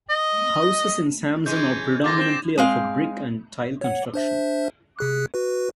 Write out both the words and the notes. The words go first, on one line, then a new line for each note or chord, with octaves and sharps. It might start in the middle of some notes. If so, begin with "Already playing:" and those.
Houses in Samson are predominantly of a brick and tile construction.
D#5
E3 G#3 C#4 G6
B2 D3 F4 D6 A6 A#6
C4 A#6 E7
G#3 C4 F5
C#5 F#5
D4 C5 E5
C3 G#4 F#6
F#4 B4